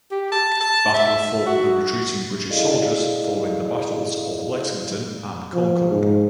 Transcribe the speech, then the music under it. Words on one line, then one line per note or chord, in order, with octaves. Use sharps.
Battle fought the retreating British soldiers following the battles of Lexington and Concord.
G4
A5
A5
E5
F#4
E4 G#4 A4 D5 D#5 F5
F3
G#2